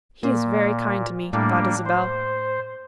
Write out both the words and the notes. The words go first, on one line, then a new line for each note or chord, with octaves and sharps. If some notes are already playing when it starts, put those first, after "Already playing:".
"He is very kind to me," thought Isabel.
A#2 A#3
A2 G3 A#3 D4
C5